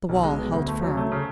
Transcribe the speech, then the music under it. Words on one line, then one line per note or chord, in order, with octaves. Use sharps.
The wall held firm.
B1
G#3
B3
D2
A3
F#3
A3
C#3